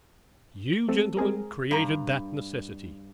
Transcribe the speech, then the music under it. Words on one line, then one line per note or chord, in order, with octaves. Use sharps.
You, gentlemen, created that necessity!
A3 C4 A4
G#3 C4 G#4 A#4
G2 A#5